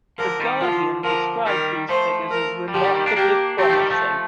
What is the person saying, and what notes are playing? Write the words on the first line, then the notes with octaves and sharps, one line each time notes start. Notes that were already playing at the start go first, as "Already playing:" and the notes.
"The Guardian" described these figures as "remarkably promising".
D3 F3 A#4
D#3 G3
D3 F3 F4
D3 F3 A#4
D#3 G3 A#4
F3 A3 C5
A#4
G3
D3 F3 G4
D#3 G3
D#3 G3
A#3 D4
A#3 D4 G4
A3 C4 G4
F3 A3
D#3 G3
F3 A3